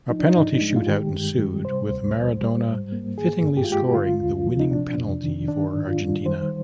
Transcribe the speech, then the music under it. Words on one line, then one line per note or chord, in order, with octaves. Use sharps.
A penalty shoot out ensued with Maradona fittingly scoring the winning penalty for Argentina.
F3 D#4
D4
D#4
G#2
G#3
F4
D#3 G4
G2
G3
C3 C5
D2
F3
G3
G#2
A#3
D#3 G#4
G2
G4
F4
G#3 G4
D3 F4
D#2
F3
D#4
C3 D4
F2
D#3
D#3 D4
G#2
F4
G3
D#3 C5